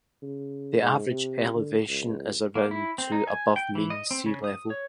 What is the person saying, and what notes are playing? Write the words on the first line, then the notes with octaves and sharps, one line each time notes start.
The average elevation is around to above mean sea level.
C#3
G#2
C3
D3
C#2
A#3
E4
C4
D#4
G#5
G5
E3
D#5
C4
C#3
D#6
C#5